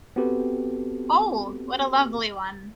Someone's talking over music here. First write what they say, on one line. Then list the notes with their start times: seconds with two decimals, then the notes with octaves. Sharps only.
Oh, what a lovely one!
0.16 B3 C4 F#4 G4 A4 B4